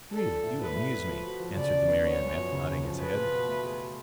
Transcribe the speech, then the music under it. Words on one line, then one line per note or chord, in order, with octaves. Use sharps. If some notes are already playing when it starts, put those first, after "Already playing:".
"Really, you amuse me," answered the Marionette, nodding his head.
D4 A4
F3
A2
B3 B4
A2
A2
F3
F#4
F3
C#3 D5
C#3
B3
B3 C#5
F#2
F3
C#3
C#3
F3
G#4 B4
F4
B2
A3
G#4
G#4